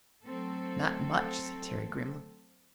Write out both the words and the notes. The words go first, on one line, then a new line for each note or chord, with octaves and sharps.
"Not much!" said Terry grimly.
F#3 A3 C4 A4